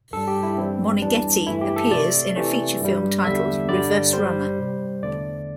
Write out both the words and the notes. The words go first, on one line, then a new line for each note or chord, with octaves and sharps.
Moneghetti appears in a feature film titled "Reverse Runner".
G2 G3 A4
G4
E4
G2 E3 G3 C4
E2 E3 G3 D4
G2 E3 A3 E4
G4
A4
C3 A3 D5
C3 E3 A3
G2 G3
E2 D3 G3 E5
G2 D3 G3 D5
G2 G3 C5
C3 G3
E2 D3 A3 D5